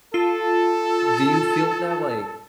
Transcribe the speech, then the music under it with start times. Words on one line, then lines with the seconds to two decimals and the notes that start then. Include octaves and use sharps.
Do you feel that, like,
0.14 F4 A4